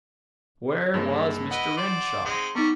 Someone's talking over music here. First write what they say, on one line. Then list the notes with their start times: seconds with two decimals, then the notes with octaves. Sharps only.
Where was Mr. Renshaw?
0.94 G2 G#3 A#3
1.51 E4 B4 D#5 F#5
1.77 C5 D5
2.25 G#3 C4 D#4
2.55 G3 B3 D#4 C#6